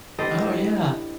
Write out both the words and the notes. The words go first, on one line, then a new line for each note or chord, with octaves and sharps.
Oh, yeah.
D4 E4 G4 A4 C5 D#5